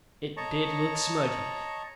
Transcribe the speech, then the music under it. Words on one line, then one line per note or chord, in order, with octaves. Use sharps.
It did look smudgy.
C#5 D#5 A5 A#5 C#6